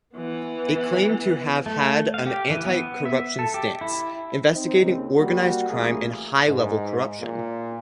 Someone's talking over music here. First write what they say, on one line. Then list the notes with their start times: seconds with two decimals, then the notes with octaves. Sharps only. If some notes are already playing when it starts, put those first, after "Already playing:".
It claimed to have had an anti-corruption stance, investigating organized crime and high-level corruption.
0.15 E3 B3
1.66 A3
2.14 F5
2.26 G4
2.50 E3
2.66 B3
3.05 E5
3.39 A4
3.54 G4
3.81 E4
4.50 C4 D#4
4.81 D#2 C#3 C4
5.15 G3 A#3 F#4
5.69 A1 A3 A#3 E4 G#4
6.48 G#2
7.20 A#2